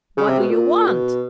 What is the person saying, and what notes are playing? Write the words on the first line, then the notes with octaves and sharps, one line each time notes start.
"What do you want?"
C#3
C3
B2
A#2
B2